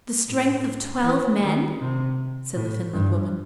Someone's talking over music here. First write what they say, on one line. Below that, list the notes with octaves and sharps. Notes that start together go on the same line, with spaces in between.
"The strength of twelve men!" said the Finland woman.
A2
E3
D#3
C3
A2
G2